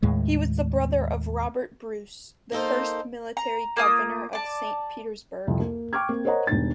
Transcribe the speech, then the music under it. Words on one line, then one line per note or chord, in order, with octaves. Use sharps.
He was the brother of Robert Bruce, the first military governor of Saint Petersburg.
D#2 A2 G#3
A#3 D#4 A4 C5
A#5
A#3 F4 D#6
D5 A5
C2 F2
A#3
G5 C#6 D6 F6 G#6
A#3 C4
A#4 C5 C#5 D#5 F#5 A#5
E1 G2 D#3 A6